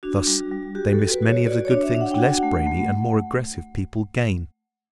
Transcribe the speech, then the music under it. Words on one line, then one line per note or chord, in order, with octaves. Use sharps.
Thus they miss many of the good things less brainy and more aggressive people gain.
D4 F#4
G3
G3
F#4 G4
A4
F#4
B4
F#4
C#5
F#4 D5
C#5
D4
E5
D4
F#5
G5
F#4 F#5
A3
A3